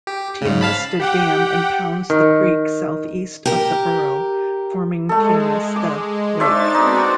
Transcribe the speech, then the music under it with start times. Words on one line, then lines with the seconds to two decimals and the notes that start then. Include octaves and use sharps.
Tionesta Dam impounds the creek southeast of the borough, forming Tionesta Lake.
0.07 G4
0.42 G#2 C#3
0.61 F5 A5 B5
1.00 G4 F#5 G5
2.10 D#3
3.46 G4 A#4
5.09 G#3 A3 A4
5.76 D6
6.40 D4 D#4 C5 D5 E5 C#6 A6
6.74 B3 C4 D#4 F#4